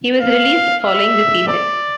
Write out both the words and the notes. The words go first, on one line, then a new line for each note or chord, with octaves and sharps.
He was released following the season.
F5
E5
D5